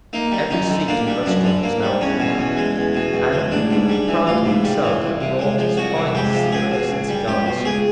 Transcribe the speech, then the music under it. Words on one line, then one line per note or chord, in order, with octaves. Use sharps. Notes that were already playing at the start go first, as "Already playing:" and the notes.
Every seat in the restaurant was now occupied, and the proprietor himself had brought his finest cigarettes and cigars.
A#3 D#4
G3
F#2 D#4
D3
A#3 D4
G3
F#2 D4
D3
A#3
G3
E2 C#4
B2
E2
G#3
E2
B2
E2
G#3
A1 D4
G#2
G3
E3
A1 F4
G#2
G3
E3
C2
C3
G#3
F3
C2 F#4
C3
G#3 G4
F3
C#2 G#4
B2
C#2
G3
C#2 G4
B2
C#2 G#4